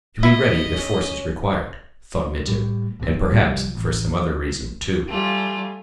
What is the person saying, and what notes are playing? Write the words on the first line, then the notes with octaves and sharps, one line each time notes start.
"To be ready if force is required," thought Mitya, "and perhaps for some other reason, too."
E4 D#5 B6
C#4
A2 G3
C#2 G#2 G3 C4
C2 C3 F3 G3
A1
G3 A3 F4 G#5